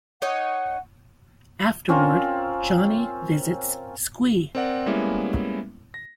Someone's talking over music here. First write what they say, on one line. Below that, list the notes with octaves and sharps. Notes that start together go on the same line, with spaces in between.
Afterward, Johnny visits Squee.
D#4 C#5 D#5 F#5
C4 C#4 F4 A#4
C4 A#4 D5 F#5
G3 G#3 A#3 B3 C#4 E4
A#6